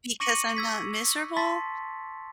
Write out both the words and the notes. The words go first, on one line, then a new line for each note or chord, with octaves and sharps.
because I'm not miserable
C#6 D6 A#6 C#7 D#7 F#7
E6 G#6 B6
A5 C6 A6 B6